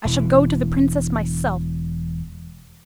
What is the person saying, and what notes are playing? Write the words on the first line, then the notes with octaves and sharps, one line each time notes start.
I shall go to the princess myself.
E1 E3